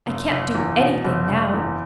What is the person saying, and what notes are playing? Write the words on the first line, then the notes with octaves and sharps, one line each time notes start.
"I can't do--anything, now."
F#1
F#1
E2
B2
F#1
F#1
E2